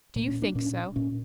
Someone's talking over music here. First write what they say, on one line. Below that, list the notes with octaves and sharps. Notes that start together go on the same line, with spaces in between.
"Do you think so?"
A#2 A#3
C#4
D4
A#2 C#4
A#2 C#4